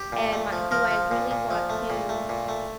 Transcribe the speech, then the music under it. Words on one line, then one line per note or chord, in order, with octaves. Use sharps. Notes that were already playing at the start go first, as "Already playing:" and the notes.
Am I do I really want to
Already playing: G4
A#2
A3
F3
F3 A#4
F3
A#2
A#2
F3
A3
A#2
A3
A#2
A3